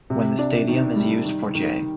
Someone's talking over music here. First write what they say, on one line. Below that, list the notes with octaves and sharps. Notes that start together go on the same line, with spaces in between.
When the stadium is used for J.
C3
D4
D#3
G3
D#3
D#3